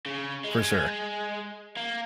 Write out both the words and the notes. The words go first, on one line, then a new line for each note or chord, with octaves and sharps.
for sure,
C#3
G#3
A#3